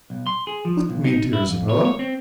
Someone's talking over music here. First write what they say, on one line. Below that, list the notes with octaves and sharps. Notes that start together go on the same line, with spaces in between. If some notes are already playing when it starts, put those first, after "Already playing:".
"With me, dear Isabella!"
B1
C6
G#4
F3
B1
D#4
E4
F2
C#5
C#5
C4